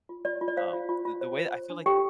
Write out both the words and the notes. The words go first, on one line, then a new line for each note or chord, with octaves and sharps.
um, the the way I feel like,
F4
F4 D5
F4
D5
C5 F5
F4
F4
F4
C5
C5
C5
D4
G4 A4 G5